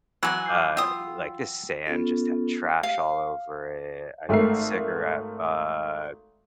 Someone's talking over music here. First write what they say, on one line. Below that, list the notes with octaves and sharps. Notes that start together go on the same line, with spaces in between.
uh, like, this sand just had trash all over it, I mean, cigarette butt
E3 F#3 F#5 G#5
D6 G6 C7
F4 F#5 G5 D#6 E6
B3 C#4 F4 A4
F5
G#1 A3 A4 A#4 E5 C7